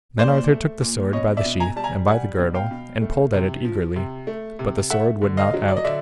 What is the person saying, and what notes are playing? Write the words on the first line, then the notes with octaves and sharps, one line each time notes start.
Then Arthur took the sword by the sheath and by the girdle and pulled at it eagerly, but the sword would not out.
A#2 C5 D5
A3
A#2
B2 C#5 D#5
D5 E5
B2
G#5 A#5
G3 A5
G#5 A#5
G3 F#5 G#5
B2
F5 G5
B2
A3
C3
F3
C3
A3
C3
A3 E5 F#5
D3
D#5 F5
F#3
D5
D#5
D3 D5 E5